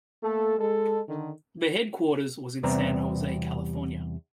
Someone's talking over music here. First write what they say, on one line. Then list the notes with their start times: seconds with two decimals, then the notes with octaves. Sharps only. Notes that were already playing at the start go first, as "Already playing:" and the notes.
The headquarters was in San Jose, California.
0.23 A3 A#3 A4
0.59 G#3 A4
1.08 D3 D#3
2.63 E2 C3 G3 B3 C4 A#5